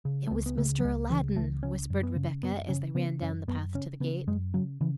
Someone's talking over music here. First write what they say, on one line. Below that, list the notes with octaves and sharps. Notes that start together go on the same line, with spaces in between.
"It was Mr. Aladdin," whispered Rebecca, as they ran down the path to the gate.
C#3
A3
C#2 B3
B3
C#3 A3
F#3
C#2 G#3
C#3 E3
C#2 A3
C#3 C#4
F#2
B3
C#3
F#2 B3
C#3 C#4
C#3 B3
F#2 C#4
F#2 B3
C#3 C#4
C#3 B3
F#2 G#3
C#3 F#3
C#3 E3